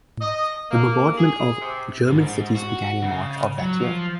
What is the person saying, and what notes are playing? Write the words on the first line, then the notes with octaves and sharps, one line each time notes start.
The bombardment of German cities began in March of that year.
D#5
A#3
G#4
C3
B1 G#2
F#4
C#3
F#3
F3